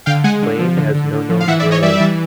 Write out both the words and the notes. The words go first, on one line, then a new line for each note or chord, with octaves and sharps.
Wain has no known grave.
D3 F5 G5
G#3 F#5 G#5
D3
F3
D3
D3
D3
F3
F5
E3 E5 F#5
D5 E5
E3
C#5 D#5
G3 D5 E5
E3